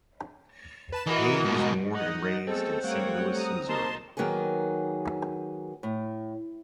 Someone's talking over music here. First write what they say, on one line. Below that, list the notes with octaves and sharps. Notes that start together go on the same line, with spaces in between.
Page was born and raised in Saint Louis, Missouri.
B4 A5 E7
E3 F#4 A#4 D#5
G#2 B2
D#4 D#5 F#5
G#3 A3 B3 C4 A4
G3 A3 A#3 C#5 F#5 G5
A#5 D#6
A#3 D#4 A5 C6
D#3 F#3 A#3 B3 G#4
A2